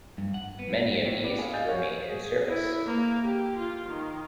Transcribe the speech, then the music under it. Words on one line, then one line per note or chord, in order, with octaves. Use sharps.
Many of these remain in service.
G2
F#5
B3
A2
B4 D5
G#4 F5
D#5 F5 G#5 G6 A6
F#4 C#5
G#4
E4
A#3
G4
F4
D#3